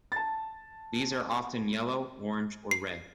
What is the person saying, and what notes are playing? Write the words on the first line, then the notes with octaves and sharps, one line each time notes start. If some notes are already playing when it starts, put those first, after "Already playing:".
These are often yellow, orange or red.
A5 A6
C7